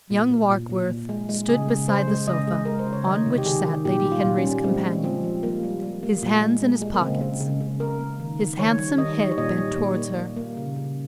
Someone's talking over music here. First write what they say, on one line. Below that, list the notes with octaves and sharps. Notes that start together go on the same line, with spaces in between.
Young Warkworth stood beside the sofa, on which sat Lady Henry's companion, his hands in his pockets, his handsome head bent towards her.
A#2
A#2
A#2
A#2
A#2
G#3
G#3
C#3 G#4
C#3
C#3 C5
G#3
C#3 D#5
G#3
G#3 A#4
C5
C#3
C#5
D#3 D#5
C3
G4
D#3 G#4
D#3
A#2 G4
G3
F4
A#2
C#4
G3
G#3 C4
G#3
F3 C4
F3
G3 A#3
G3
G3
A#3
A#2
G#3
G#3
G#3
A#3
C#3 C4
G#3
C#3
C#3
A#3 A#4
A#3
D#3
A#3
D#3 C#5
G3
D#3 D#5
G3
C#5
A#2 D#5
G3
A#2
A#3
A#3
A#3
C#3
C#3